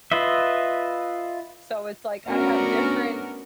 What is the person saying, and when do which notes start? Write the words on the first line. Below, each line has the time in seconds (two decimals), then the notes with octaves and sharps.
So, it's like, I have different
0.12 F4 B4 D#5 E5
2.26 A3 B3 C#4 D4 F#4 A#4